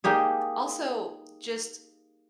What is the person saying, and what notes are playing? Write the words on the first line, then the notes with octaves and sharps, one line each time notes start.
Also, just
A#3 D#4 G4 G#4